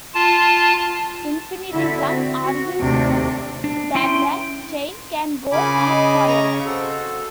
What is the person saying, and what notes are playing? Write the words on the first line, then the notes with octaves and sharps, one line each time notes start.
Infinitism argues that the chain can go on forever.
F4 A5
D3 E4 F#4 E5
C4
F#4
D#2 C3 A3 D4
D4
C#4 E4 G5 C6
C#3 C4 F4 A#4 G#5 B5 D6
D#5
A#5 C#6
C4 F#4 A4 C5